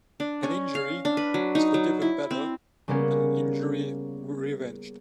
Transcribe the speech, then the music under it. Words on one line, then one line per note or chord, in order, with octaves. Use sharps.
An injury is forgiven better than an injury revenged.
D4
C#4
F5
D4
B4
F#3
D#4
F#3
E4
C4
C#3 G3 A#3 B3 C#4